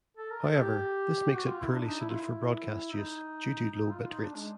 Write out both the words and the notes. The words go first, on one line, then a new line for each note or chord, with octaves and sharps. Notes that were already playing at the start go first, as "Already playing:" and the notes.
However, this makes it poorly suited for broadcast use, due to low bitrates.
A4
A#4
A4
G4
F#4
F4
E4
D4
D#4
E4
F4
E4
D#4
D#4
F4
D#4
D4
G#3